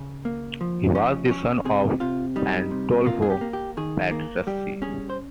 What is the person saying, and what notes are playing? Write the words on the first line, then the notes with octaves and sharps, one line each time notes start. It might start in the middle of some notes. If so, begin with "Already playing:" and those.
He was the son of Pandolfo Petrucci.
Already playing: C#3
A#3
F3
C#4
C#4
C3 G#4
C3 F4
G3 D#4
C3
A#3 F4
G#4
G4
A#3
G4
D#3 G#4
A#3
G3 G4
C#4 G#4
C5